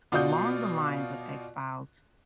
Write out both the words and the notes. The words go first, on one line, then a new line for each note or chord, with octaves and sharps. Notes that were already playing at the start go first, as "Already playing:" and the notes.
along the lines of X-Files.
B2 F4 F#4 D5 D#6 G6